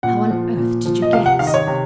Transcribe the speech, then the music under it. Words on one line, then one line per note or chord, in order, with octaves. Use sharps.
'How on earth did you guess?
A#2 F#5
F3
A#2
F3
D#5
C3 F5
F#5
D#3 F5
D#5
C#5
C3